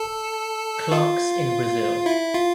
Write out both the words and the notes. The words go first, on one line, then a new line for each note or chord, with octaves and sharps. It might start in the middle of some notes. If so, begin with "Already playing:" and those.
Clarke's in Brazil.
Already playing: A4
F4
E4
F4